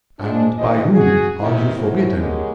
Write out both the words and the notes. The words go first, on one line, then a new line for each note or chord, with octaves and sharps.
"And by whom are you forbidden?"
F3 G#3 D4
G2 D#3 E3 C5 D#5
F#4 G#4
C3 D#3 E3 E4
F#2 F3 F#3 A3 E4
F#3 G#3 A#3 B3 C#4 G4